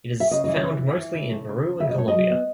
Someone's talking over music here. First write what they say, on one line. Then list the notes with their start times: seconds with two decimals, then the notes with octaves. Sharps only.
It is found mostly in Peru and Colombia.
0.20 E5
0.31 C#3 D#5
0.44 E3 D#5
0.56 C#5
0.64 E3
0.81 E3
0.97 E3
1.14 C#3
1.31 A3
1.47 C#3
1.64 C#3
1.80 C#3 E5
1.89 D#5
1.96 A3 C#5
2.08 D#5
2.13 F#3
2.30 B3